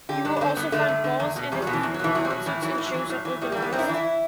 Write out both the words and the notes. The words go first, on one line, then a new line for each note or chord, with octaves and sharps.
You will also find bars and a theater where concerts and shows are organized.
D3 G4
G2 D4
D4
D3 C4
G2 B3
D3 A3
G2
D3
E2
B2
E2 G3
B2 F#3
E3
E2
F#3
B2 E3
E2 F#3
G3
B2 F#3
A2 E3
E3 F#3
A2 E3
F#3
E3
A2
E3
A2 G3
E3 G3
B3
F#2 C4
E4
D4
E3
E4